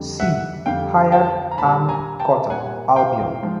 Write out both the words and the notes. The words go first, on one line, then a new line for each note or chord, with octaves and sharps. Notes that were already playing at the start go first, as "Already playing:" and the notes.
See: Hired armed cutter Albion.
Already playing: F2 D3 G3
E5 F#5
F2 D3 G3 F5 G5
G5 A5
A#5
A#2 G3 A5 B5
G#5 A#5
G5 A5
A#2 G3 F#5 G#5
F5 G5
F3 G#3